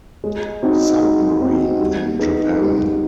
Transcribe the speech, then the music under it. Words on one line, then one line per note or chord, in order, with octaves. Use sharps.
Submarine in Japan.
G#3
C4 D#4 F#4
G#3
C4 D#4 F#4
G3
B3 D#4 G#4
G3